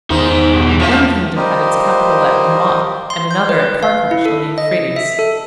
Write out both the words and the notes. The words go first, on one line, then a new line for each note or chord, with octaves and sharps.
One kingdom had its capital at Hamath and another at Carchemish on the Euphrates.
E2 D#3 D#4 C5
G2 B2
E3
F3 C#4 E5
F3 G3 G4 A#4 C5 D#5
C6
G6
B4
F5
E4
A4
D#5
E5
A4